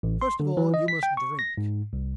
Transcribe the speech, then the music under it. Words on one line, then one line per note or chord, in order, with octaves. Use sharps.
"First of all you must drink!"
A1
C6
D3
E3
D#5
B6
G5
C#6
A#6
G#2
C2